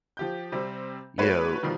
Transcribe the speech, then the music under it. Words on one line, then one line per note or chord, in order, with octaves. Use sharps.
you know,
F3 G4 G6
C3 G3 C4
A3 F#4 B4 C#5
B2 D#3 F3 G3